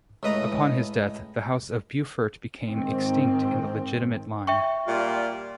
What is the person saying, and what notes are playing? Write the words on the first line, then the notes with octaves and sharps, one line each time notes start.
Upon his death the house of Beaufort became extinct in the legitimate line.
C#2 A2 B4 D#5 A#5
G#2 D#3 C4
E5 G5 C#6
A#2 G3 F4